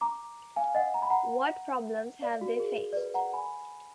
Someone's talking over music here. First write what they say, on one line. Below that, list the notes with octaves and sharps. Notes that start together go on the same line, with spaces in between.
What problems have they faced?
A#5 D6
F5 G#5
D#5 F#5
A#5
B5
F#5 A#5
D5 F5
F#4
A#4
G#4
D5
B4
F#5 A#5
G#5 B5